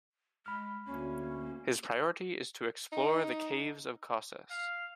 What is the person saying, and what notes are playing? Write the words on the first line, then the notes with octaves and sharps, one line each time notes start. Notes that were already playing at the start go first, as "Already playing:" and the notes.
His priority is to explore the caves of Causses.
G#3 B5 F6
D2 A#3 C#4
D#4
F5